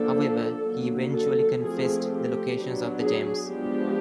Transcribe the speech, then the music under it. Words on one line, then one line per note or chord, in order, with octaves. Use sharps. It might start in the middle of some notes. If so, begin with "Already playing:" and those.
However, he eventually confessed the locations of the gems.
Already playing: D3 F3 A#3 D4 A4
D3 F#3 A#3
A4
F3 A3 C4 G#4
G4
F#3 B3 D4
G#4
F3 G#3 B3 D4 G4